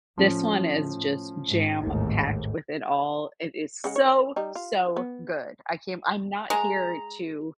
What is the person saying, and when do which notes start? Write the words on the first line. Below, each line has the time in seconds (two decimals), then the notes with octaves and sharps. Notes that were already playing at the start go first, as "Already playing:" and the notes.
this one is just jam packed with it all it is so, so good. I can't I'm not here to
0.18 A2 F3 C#4
1.46 G#2
1.81 A1 D#2 G#2
3.84 C#3 G#3 F#5
3.96 C#5
4.36 G3 D#4
4.55 F4
4.97 B3
6.50 G#3 A#5